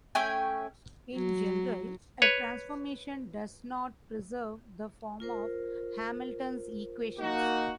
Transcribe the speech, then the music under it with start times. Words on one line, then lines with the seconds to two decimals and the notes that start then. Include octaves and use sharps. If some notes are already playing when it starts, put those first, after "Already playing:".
In general, a transformation does not preserve the form of Hamilton's equations.
0.15 A3 C#4 G5 G#5
1.15 F#3
2.22 B4 C#5
5.20 F4 A#4 C5
7.19 A#3 D#4 F#4